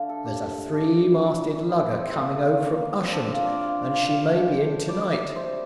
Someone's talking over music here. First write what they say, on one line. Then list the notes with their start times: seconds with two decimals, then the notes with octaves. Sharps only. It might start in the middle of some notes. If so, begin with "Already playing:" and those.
There's a three-masted lugger coming over from Ushant, and she may be in to-night.
Already playing: D3 A3 F5
0.09 A4
0.25 G4
0.41 A#2 A3
0.73 D4
1.05 A#2 G3
1.69 A2 G3 E4
1.91 C4
2.12 A#3
2.32 C3 F3 A3 A#3
2.65 A#3
2.97 C3 E3 G3 C4
3.12 D4
3.29 F4
3.45 D5
3.60 C3 G3 F5
3.82 F5
4.03 F5
4.25 A#2 A3 G5
4.88 A#2 G3 D5
5.04 E5
5.20 D5
5.36 C5